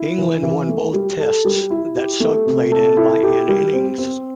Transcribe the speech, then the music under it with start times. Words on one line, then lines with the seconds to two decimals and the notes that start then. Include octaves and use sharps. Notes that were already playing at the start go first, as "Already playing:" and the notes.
England won both Tests that Sugg played in by an innings.
Already playing: E4
0.18 E3
0.43 E3
0.69 A3
0.93 G3
1.20 A4
1.45 G3
1.70 E4
1.95 G4
2.20 A3
2.46 C3
2.72 A4
2.97 E4
3.23 G4
3.48 G3
3.73 C4
3.98 C4